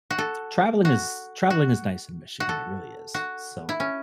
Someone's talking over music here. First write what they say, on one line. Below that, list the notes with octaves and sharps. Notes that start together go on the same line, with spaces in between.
traveling is traveling is nice in Michigan it really is, so.
F#4
A4
F#4
F#4
F#4
A4
F#4
E4
C#4